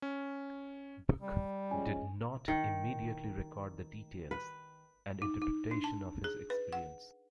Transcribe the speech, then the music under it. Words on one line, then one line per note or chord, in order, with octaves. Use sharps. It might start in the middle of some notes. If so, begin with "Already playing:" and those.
Bucke did not immediately record the details and interpretation of his experience.
C#4
G3
F3 G#3 C#4 G#5
D#3
B4
D#4
D#4
D4
A5
G#4
B4
F#5